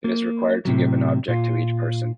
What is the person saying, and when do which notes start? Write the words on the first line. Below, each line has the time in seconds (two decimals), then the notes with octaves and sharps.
It is required to give an object to each person.
0.04 A#3
0.65 A2 C3 F#3
1.28 A#2 F4